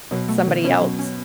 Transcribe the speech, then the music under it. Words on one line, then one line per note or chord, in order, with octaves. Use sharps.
somebody else
B2 F#3
A3
D#3
B2 C#4
F#3
C#4